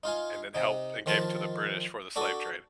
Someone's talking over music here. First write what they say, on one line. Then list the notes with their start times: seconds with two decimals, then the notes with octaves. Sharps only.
and then helped and gave 'em to the British for the slave trade,
0.03 D#4 F4 F5 G#5
0.55 C3 D#4
1.06 D#3 F3 F4 A5
2.16 D4 F#4 A4